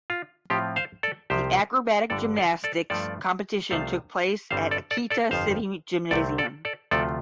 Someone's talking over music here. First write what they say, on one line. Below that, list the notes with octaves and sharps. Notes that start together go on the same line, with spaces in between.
The acrobatic gymnastics competition took place at Akita City Gymnasium.
F4
A2 F3 C4 F4 G4
C5 F5
A4 D5
C2 C3 F3 G4 C5
G1 G2 D3 A4 D5
A4 D5
A4 D5
G2 F3 A3 F4 A4 D5
C2 C3 F3 A3 F4 C5 F5
G1 G2 G3 C4 C5 F5
A4 D5
A4 D5
A4 D5
G1 F2 F3 C5 F5
C2 C3 A3 C4 A4 D5
A4 D5
A4 D5
D2 C3 F3 A3 F4 A4 D5